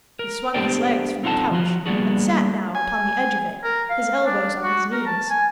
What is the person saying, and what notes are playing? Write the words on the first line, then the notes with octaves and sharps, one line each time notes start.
He swung his legs from the couch, and sat now upon the edge of it, his elbows on his knees.
A#4
B3 D4 G4 C5 D5 G5
C4 D#4 F4 A4 F#5 A5
F3 F4 F#4
G3 A#3 B3 D4 F#4 G#4
G#5
A#4
F5
D4
F#4
A#4
A5
G#5